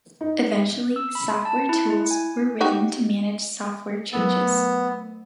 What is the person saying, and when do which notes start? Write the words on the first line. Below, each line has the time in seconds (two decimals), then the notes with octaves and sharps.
Eventually, software tools were written to manage software changes.
0.21 D#4
0.96 E6
1.15 B5
1.45 A5
1.69 E4
1.90 E4
2.11 G#5
2.61 D#4 F#4 G4
4.13 F#3 A3 B3 A#4